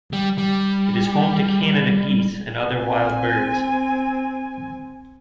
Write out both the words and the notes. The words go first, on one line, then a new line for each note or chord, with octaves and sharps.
It is home to Canada geese and other wild birds.
G3
G3
C4 G#5